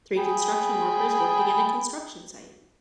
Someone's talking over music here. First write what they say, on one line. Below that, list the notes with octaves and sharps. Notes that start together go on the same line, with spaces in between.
Three construction workers working in a construction site.
G#4 G5 B5